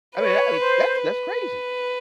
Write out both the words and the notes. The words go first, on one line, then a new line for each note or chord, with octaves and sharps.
I mean, I like, that's that's crazy!
B4 C#5
C5
B4